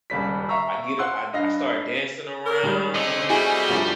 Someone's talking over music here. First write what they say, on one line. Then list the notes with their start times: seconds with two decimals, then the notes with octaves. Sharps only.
I get u I I started dancing around,
0.10 D#1 C#2 G3 B6
0.49 E5 F5 A#5 C#6 E6
0.99 F5 F#5 C6 E6 F#6
1.33 G2 D#5 F5 A#6
2.46 A#4 C#5
2.63 D#3 G3 G#3
2.95 D3 A3 C4 D#5 D6
3.30 G3 E4 F#4 G#4 G#5
3.69 C2 G2 D3 D#3 F3 C#4